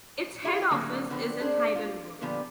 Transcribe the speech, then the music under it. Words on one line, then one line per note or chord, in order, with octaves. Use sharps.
Its head office is in Heidelberg.
E4 G4 G#4 E5
A2 D3 F#3 A#3 G#4
D3 F3 B3 C4
D4 G#4 C5
F4
A#2 D3 F3 B3 G4